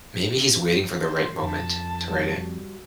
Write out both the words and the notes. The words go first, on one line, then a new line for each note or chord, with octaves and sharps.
Maybe he's waiting for the right moment to write it.
C5
F2 A5
G3 F#4